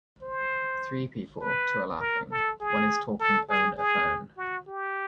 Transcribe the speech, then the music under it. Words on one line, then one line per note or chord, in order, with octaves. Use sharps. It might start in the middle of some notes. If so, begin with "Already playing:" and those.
Three people, two are laughing, one is talking own a phone.
C5
B4
A#4
A4
G#4
A4
G#4
G#4
F#4
G4